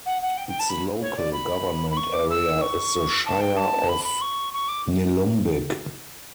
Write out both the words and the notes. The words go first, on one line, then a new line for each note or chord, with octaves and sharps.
Its Local Government Area is the Shire of Nillumbik.
F#5
F#5
G5
G5
A5
B5
C#5
D5
B5
B5
C#6
D6
E6
C#6
A5
G5
A5
B5
B5
C#6
C#6
D6